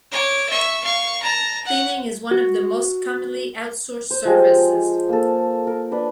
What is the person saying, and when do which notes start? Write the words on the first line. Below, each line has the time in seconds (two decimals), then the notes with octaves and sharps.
Cleaning is one of the most commonly outsourced services.
0.11 C#5 D6
0.49 E5 C#6
0.84 F5 C#6
1.22 A5 A#5
1.65 F#5
2.31 F#4
4.10 C5
4.25 F3 G#3 G4
4.73 G#4
5.09 A#3 A4
5.67 A#4
5.92 D4 B4